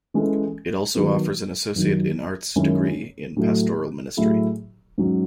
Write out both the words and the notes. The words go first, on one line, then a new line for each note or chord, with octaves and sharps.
It also offers an Associate in Arts degree in Pastoral Ministry.
E3 G#3 C#4 E4 A4
D#3 F#3 B3
F#2 D#3 F#3
F#2 D#3 G#3 C#4 E4
A2 F#3 A3
A2 F#3 A3 E4 G#4
G#2 F#3 C#4